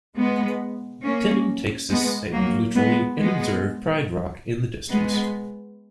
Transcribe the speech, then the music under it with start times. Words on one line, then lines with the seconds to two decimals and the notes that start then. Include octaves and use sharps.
Timon takes this saying literally and observes Pride Rock in the distance.
0.17 G#3 B3
1.03 A#3 C#4
1.89 G#3 B3
2.33 F#3 A#3
2.76 G#3 B3
3.19 G#3 B3
4.92 G#3 B3